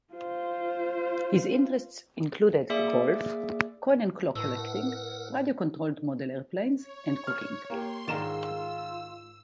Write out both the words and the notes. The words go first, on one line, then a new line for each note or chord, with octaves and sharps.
His interests included golf, coin and clock collecting, radio-controlled model airplanes and cooking.
F4 C5
A#3 G#4 D5 E5 D6
A2 A#4 B4 F#5 E6
C#5
F6
A#3 G4 C6
G#2 D#3 F4 A#4 D5 E6 E7